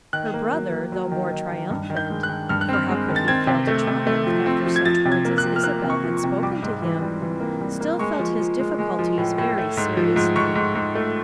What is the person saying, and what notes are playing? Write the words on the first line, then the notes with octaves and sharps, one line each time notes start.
Her brother, though more triumphant,--for how could he fail to triumph after such words as Isabel had spoken to him?--still felt his difficulties very seriously.
D#3 F#6
A#3
F#3
A#3
F#3
D#3
D#3
D#3
G2
D#3
G6
G#3
F#6
D#3
G2 F6
F#6
C4 F6
G#3
D#3
A6
C4 G#6
C3
A3
C3
A3
F3
C4
F3
G#6
F3 A6
C3
G#6
A#3
F#6
F3
F6
A#3 F#6
C3
C#6
F3
C#6
C3
G3 D6
G#2
E3
G3
E3
A#3
G3
A#3
G#3 C#6
F3
F3
G#3
G#3
F3
A2
A2
A3
G#2
F3
G#2
G#2 C#6
G#2
G#2
A3